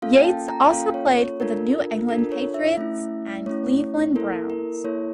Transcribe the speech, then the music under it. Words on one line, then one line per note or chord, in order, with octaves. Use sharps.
Yates also played for the New England Patriots and Cleveland Browns.
A#3 C#4 F4 A4 F5
G5
A5
A#5
G5
A#3 C#4 F4 A4 F5
C#5
C#5
D4 F4 A4 A#4
D4 F4 A4 A#4
C#5
E5
A3 C#4 E4 E5
A3 C#4 E4 C#5
A#3 E4 A4 A#4
A#4
A#3 E4 A4 C#5